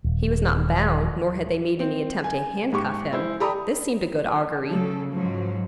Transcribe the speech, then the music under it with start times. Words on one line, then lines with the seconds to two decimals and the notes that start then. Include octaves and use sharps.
He was not bound, nor had they made any attempt to handcuff him; this seemed a good augury.
0.04 D#1
1.80 C4
2.24 G#5
2.73 G#2 G4 C#6
3.12 G#3 E4 C5
3.40 G4 A4 D5 A#5 B5 D#6
4.67 C#3 F#3 A4
5.12 G#2 F3 F#3